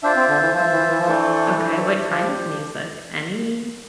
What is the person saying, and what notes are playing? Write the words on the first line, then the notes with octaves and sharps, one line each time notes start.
Nice. Okay, what kind of music? Any?
D4 F4 C5 E5
C4
D3
E3
F3 F4 C5 E5
E3
E3
F3
E3 A3 D4 A4 C5
A3 D4 A4 C5
F3 D4 G4 C5